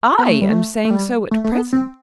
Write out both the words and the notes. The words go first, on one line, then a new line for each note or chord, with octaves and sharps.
"I am saying so at present."
B3
A3
G3
A3
A3
G3
A3
A3
B3
C4